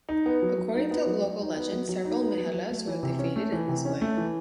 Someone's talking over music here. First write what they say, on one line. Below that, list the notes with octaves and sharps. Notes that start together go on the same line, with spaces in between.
According to local legend, seven mehellas were defeated in this way.
D#4
B3
F#3
F#3
D#4
B3
F#3
F#3
D#4
B3
F#3
F#3
D#4
B3
F#3
F#3
A3
E3
C3
C#4
A3
E3
C3
C#4
A3
E3